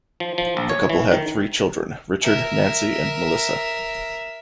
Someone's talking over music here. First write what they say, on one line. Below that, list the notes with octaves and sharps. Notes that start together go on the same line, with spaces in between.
The couple had three children, Richard, Nancy, and Melissa.
F3
F3
A#1
C#5
E3
D#3
A#4 E5